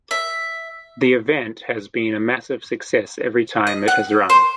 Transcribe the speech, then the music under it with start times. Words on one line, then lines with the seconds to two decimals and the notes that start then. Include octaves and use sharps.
The event has been a massive success every time it has run.
0.11 E5
3.67 D#5
3.88 F#5
4.30 C5